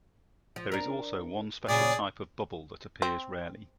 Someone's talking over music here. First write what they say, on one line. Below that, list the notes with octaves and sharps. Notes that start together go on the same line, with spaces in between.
There is also one special type of bubble that appears rarely.
F3
D4 A#4
A#2 C#3 F#3 G#4 D5
C4